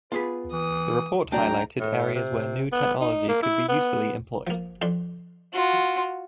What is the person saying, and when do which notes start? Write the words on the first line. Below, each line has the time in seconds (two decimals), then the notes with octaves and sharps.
The report highlighted areas where new technology could be usefully employed.
0.12 B3 F4 G#4 B5
0.52 E3 D#6
1.32 A2 F#3 D4 D5 G5 A#5
1.80 A2
2.15 C3
2.72 B3
3.01 D#4
3.28 A#3
3.42 E4
3.68 B3
4.47 F3 A#3
4.82 F2 D4 C6
5.53 F4 F#4